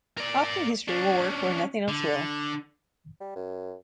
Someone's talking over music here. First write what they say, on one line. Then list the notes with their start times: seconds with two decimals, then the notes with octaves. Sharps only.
Often history will work where nothing else will.
0.17 A#4 D5
0.88 C#4 D4
1.88 D3
3.20 G3
3.36 F#2